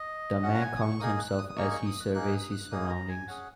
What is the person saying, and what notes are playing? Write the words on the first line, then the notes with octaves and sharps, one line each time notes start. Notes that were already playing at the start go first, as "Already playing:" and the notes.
The man calms himself as he surveys his surroundings.
Already playing: D#5
C#4 F#4 F#5
A#5
G#5
D#6
C#6
A#3 D#4 G#4 D#6
F#6
D#6
D#6
A#3 D#4 G#4 C#6
C#6
D#6
F#6
A#3 D#4 G#4 F#6
D#6
F#6
A#3 D#4 G#4 D#6
A#5
G#5
C#4 G#4 F#5